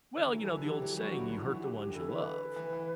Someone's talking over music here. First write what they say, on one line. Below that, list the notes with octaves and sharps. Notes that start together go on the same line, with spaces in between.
Well, you know, the old saying, "You hurt the ones you love,"
D3
E3
D3 F#3 A4
E3
D3
E3 G4
D3 F#3
E3 G3 F#4
D3 F#3
E3
D3 F#3 E4
E4
F#4
G4
G4
D3
E3 A4
B4
B4
E3
E3